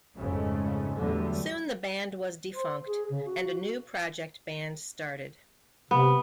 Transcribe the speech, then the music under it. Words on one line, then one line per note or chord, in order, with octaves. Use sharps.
Soon the band was defunct and a new project band started.
G#1 F2 G#2 C#3 A3 C#4
E2 A2 D3 F#3 G3 A3
C5
G#4
C#3
F#4
C3 B3